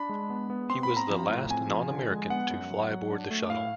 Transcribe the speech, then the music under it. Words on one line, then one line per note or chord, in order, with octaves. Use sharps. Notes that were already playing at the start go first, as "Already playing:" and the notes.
He was the last non-American to fly aboard the shuttle.
Already playing: D4 B5
G#3
B3
B3
C4 C6
B5
C4
A#5
F3
A2
C4 G#5
F3
D3
G#3
B3 F#5
F#2
F#3
F#3
D4
A3
A2 F5